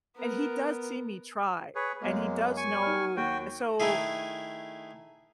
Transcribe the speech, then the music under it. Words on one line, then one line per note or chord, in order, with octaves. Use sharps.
and he does see me try, and he does know So,
B3 A#4
G#4 B4 C#5
F#2 G#3 A#3 B3 A#4
G#5 C#6
D#4 F6
D#2 F#4 G5
D#3 A3 E4 G#4